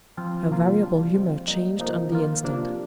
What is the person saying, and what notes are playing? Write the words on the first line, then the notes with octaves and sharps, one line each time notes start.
Her variable humor changed on the instant.
F3 C4 F4
C3 F3 A#3 F4
G3 D4 F4
F3 G#3 C4 F4
G3 A#3 D#4
C3 F3 A#3 D#4
D#3 A#3 F4
C3 F3 A#3 D4